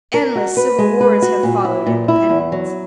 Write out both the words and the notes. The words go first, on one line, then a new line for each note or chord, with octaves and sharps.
Endless civil wars have followed independence.
A#4
F#4
B4
G#3
B4
F#4
A#2
E4
A#2
E4
E2
F#3